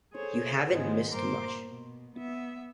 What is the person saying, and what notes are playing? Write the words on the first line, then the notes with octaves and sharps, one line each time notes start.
You haven't missed much.
G#4 A4 C5 C#5
G#2 D#3 G#3 B3 G#4 C5
G2 A#2 A#4 C5 C6 D6
B2
B3 E5